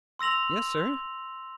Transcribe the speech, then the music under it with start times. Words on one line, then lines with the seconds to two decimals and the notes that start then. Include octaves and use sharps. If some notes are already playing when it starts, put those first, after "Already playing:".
"Yes, sir."
0.19 C6 E6 A#6 F7 F#7